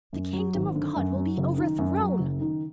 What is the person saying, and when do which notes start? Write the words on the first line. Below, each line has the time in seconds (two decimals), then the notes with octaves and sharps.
The kingdom of God will be overthrown...
0.13 F#2
0.33 F#3
0.54 G#1
0.75 D3
0.96 F#2
1.16 F#3
1.38 F#1
1.58 D#3
1.79 F#2
1.99 F#3
2.19 F#1
2.41 D#3